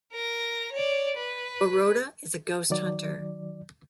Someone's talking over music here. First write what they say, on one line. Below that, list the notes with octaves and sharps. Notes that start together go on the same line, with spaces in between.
"Baroda" is a ghost-hunter.
A#4 A#6
C#5 D5
B4
D#3 F#3 D5